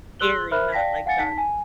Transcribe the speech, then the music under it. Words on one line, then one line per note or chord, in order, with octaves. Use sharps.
airy, not, like, dark.
G#4 C6 E6 F#6 F#7 G7
A#4 C5 E5 B5 F6 F#6
D5 F5 G5 A5 A#6 B6
F5 F#5 G#5 A6 C#7
D#4 A5 B6
G#5